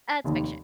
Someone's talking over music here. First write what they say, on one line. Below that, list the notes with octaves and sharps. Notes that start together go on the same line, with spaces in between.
Uh it's fiction.
F1 D#2 D#3